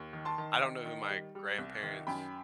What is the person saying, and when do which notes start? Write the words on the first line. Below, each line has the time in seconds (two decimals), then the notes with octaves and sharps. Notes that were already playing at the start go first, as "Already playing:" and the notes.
I don't know who my grandparents'
Already playing: D#2
0.13 D#3
0.25 A5 C6
0.38 D#3
0.62 D#3
0.86 D#3
1.10 G3
1.35 G3
1.58 C2
1.83 D#3
2.07 F#2 G5 B5